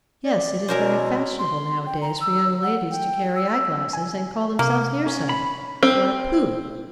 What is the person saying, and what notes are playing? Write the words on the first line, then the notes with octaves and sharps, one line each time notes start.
Yes, it is very fashionable now-a-days for young ladies to carry eye-glasses, and call themselves near-sighted!" Or, "Pooh!
D5
B2 C#4 E4 A#4 C5
C6
G5
A#5
E6
F#5
G5
E6
G#5
C3 A#3
C#4
B5
C4